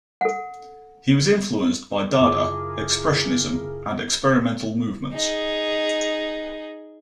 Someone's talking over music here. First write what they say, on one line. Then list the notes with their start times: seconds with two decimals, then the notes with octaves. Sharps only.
He was influenced by Dada, Expressionism and experimental movements.
0.21 A4 F#5
2.20 F#2 C#3 E4 F4 G#4 A#4 A5 D6
5.13 D#4 G#4